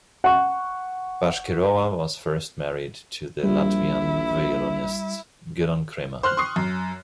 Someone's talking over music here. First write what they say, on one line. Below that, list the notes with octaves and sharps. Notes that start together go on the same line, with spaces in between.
Bashkirova was first married to the Latvian violinist Gidon Kremer.
F#5 C#6
A#1 G3 E4
C5 C6 F6 F#6
C6 C#6 D#6 C7
F#2